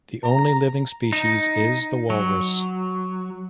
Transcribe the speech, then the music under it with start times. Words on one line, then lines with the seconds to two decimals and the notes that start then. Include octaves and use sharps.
The only living species is the walrus.
0.25 A#5
1.13 D#4
2.10 F#3